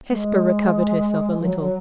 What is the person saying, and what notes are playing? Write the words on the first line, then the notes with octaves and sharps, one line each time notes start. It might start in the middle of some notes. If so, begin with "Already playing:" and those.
Hesper recovered herself a little.
G#3
F3
F#3
F#3